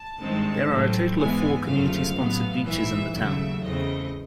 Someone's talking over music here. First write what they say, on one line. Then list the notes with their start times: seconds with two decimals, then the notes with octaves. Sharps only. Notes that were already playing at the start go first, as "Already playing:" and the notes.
There are a total of four community-sponsored beaches in the town.
Already playing: A5
0.20 G#1 G2 D#3 G#3 C4
0.69 A1 A2 F#3 A3 C4
1.17 G#2 E3 G#3 B3 G#5
1.66 G1 F#2 C#3 F3 A3 F5
2.15 A1 A2 F#3 B3
2.64 A#1 G#2 E3 E5
3.13 D#2 C#3 F#3 A3 E5
3.62 E2 C#3 E3 A3 C4 D#5